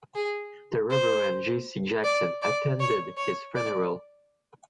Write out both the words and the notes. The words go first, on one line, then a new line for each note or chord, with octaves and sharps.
The Reverend Jesse Jackson attended his funeral.
G#4
C5
D5
D5
C#5
C#5
D5